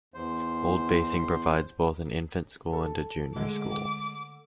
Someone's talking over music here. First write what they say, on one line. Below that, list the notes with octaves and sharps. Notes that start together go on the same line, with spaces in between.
Old Basing provides both an infant school and a junior school.
E2 C5
A4
D3 G#3 D6